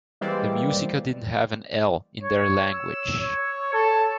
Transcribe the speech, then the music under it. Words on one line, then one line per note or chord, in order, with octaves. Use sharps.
The Muisca didn't have an "L" in their language.
E3 G3 G#3 A#3 C4 D5
C#5
E6
C#5
A4